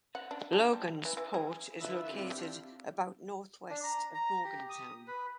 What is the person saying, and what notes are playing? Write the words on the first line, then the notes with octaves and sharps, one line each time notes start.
Logansport is located about northwest of Morgantown.
F#5
D4
D4
G3
E3
E3
G#4
D3 E4 F4 A4 B4 E5
C4 D4 E4 F4 G4
D4
A#5
A#5
G4
D#6
B4